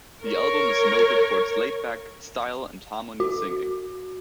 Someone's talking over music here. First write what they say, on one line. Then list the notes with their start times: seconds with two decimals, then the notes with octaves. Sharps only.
The album is noted for its laid-back style and harmony singing.
0.24 A#4 C#5
3.20 F#4